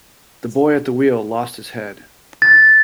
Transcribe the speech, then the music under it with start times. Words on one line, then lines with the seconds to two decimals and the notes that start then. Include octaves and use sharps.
The boy at the wheel lost his head.
2.42 A6